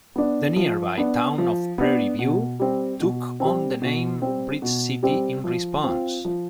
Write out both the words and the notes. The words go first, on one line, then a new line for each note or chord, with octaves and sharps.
The nearby town of Prairie View took on the name "Bridge City" in response.
B3 D4
F3
B3 D4
F3
B3 D4
B2
G3 C4
B2
G3 C4
B2
G3 C4
B2
G3 C4
F3
C4
F4
F3